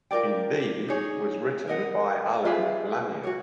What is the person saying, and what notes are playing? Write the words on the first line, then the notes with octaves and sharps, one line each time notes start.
"In Thee" was written by Allen Lanier.
F4 A#4 D5 G5
D#4 G#4 C#5
A#4 D#5 F#5
F4 G#4 B4 E5
F#4 A#4 C#5